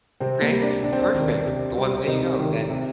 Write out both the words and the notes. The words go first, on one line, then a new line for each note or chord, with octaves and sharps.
Okay. Perfect. The one there you go. Then
C3 C4
A#3
G3
D4
C3 D4
C4
D4
D#3
C3
G3
C3 D#4
D#3
C3